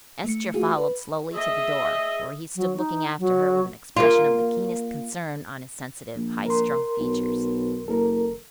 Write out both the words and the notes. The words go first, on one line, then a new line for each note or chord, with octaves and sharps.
Estra followed slowly to the door, where he stood looking after her with an expression of the keenest concern on his sensitive, high- strung features.
A3 C#7
A3 F4 F#4 G#4
B4
G#4 D#5 E5
F#3
D#4
F#3
A#3 F4
A#1
A#4 C6
B1
F#1 A4 A#4